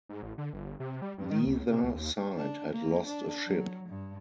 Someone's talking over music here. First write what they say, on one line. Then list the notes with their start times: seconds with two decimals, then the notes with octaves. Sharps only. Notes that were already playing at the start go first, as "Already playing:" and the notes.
Neither side had lost a ship.
0.09 G#2
0.23 A1
0.38 D3
0.53 G1
0.80 C3
1.02 G3
1.18 G2
1.30 D#3
1.46 C#2
1.71 C3
1.83 C#2
1.95 D#2
2.37 D4
2.71 A#3
3.07 D4
3.47 F#3
3.89 G2